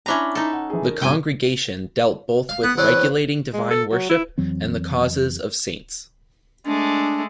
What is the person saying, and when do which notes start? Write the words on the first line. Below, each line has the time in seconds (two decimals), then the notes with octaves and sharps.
The congregation dealt both with regulating divine worship and the causes of saints.
0.06 C#4 D4 E4 A#5 B5
0.35 D#4 A4
0.53 F#5
0.70 E3 G#4
0.84 A#4
1.02 G2 B2 G5 G#5
2.49 F5
2.63 B3 F#5
2.78 E2 C4 C#4 B4
3.53 G#3
3.70 A4
3.92 F#3
4.09 E4
4.38 F2 E3 F#3 C4
6.66 G#3 A3 D4